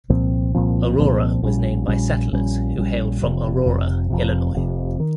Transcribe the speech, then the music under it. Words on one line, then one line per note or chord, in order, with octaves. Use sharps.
Aurora was named by settlers who hailed from Aurora, Illinois.
C2 A#2 F3 C4
C2 A#2 F3 C4
C2 A#2 F3 C4
A#1 A#2 G3 C#4
A#1 A#2 G3 C#4
A#1 A#2 G3 C#4
A#1 A#2 G3 C#4
F1 F2 C3
F1 F2 C3
F1 F2 C3
F1 F2 C3
D#3